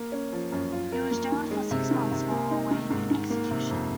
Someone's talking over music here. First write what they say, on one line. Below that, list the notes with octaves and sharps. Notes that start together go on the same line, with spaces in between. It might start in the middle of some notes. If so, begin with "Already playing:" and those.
He was jailed for six months while awaiting execution.
Already playing: A#3
C#4
F3
F#2
F4
A#4
A#3
D#3
G#3
C3
D#3
C3
A#3
D#4
D#3
G#2
D#3
A#3
C3
F2